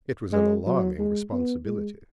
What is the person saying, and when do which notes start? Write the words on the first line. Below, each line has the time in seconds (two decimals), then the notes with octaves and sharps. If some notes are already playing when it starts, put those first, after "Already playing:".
It was an alarming responsibility.
0.32 G#3
0.66 F#3
0.99 G#3
1.32 B3
1.65 G#3